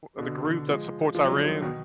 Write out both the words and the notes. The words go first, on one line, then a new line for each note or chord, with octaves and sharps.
uh, the group that supports Iran?
B2
D3
D3
F3 G#3
F3 G#3
F#3
D3 F3
D3 F3
B2 D#3